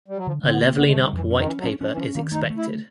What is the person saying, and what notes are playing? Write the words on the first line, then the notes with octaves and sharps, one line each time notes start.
A Levelling Up white paper is expected.
G3
F#3
D3 F3
D3 C4
B3
A#3 C4
D3 B3
G#3
A3
G3
D#3
F2 E3
C#4
D#3
E3 C#4
F#3
F3 C#4
F3 C#4
E3
F3 C#4
D#3 A#3
A3 D#4
A3
E4